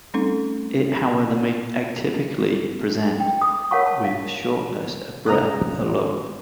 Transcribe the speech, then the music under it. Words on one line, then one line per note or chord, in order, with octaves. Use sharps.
It however may atypically present with shortness of breath alone.
G3 A3 C4 C#4 D#4 A4
G5
D#6
A#4 C#5 F5 F#5 A5 C#6
A5
F5
C#3 A#5 D#6 F#6